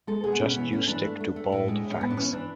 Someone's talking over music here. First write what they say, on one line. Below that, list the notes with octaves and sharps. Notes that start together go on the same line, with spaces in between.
Just you stick to bald facts.
G#3 A4
B2 G#4
B3
B2 C#4
E3 B3
A3 C#4
E3 D4
A3
A3
A3
A2
G#3
A2
C#4
A2 B3
D4
E3 C#4
E3 D4